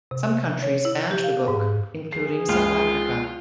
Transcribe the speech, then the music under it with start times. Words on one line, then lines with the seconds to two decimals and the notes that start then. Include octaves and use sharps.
Some countries banned the book, including South Africa.
0.11 C3
0.62 C#5
0.85 E4
1.11 G4
1.24 F5
1.48 G#2
2.13 G#4 C7
2.49 C#2 F4 F6 C7